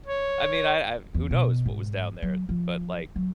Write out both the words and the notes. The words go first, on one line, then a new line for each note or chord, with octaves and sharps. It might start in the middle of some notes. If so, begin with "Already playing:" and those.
I mean, I I who knows what was down there, but, like,
C#5
E2
B2
G#2
F#3
F3
F#3